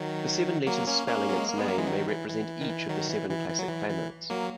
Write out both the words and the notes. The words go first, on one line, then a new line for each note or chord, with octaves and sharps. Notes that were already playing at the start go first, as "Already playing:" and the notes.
The seven letters spelling its name may represent each of the seven classic planets.
Already playing: D#3 F#3
F#3 A#3
A#3 C#4
A#3 C#4
F#3
G#3
A#3
G#3 B3
F#3 A#3
E3 G#3
D#3 F#3
E3
E3
D#3
E3
D#3 F#3
E3
E3
E3
F#3
E3
E3
F#3 A#3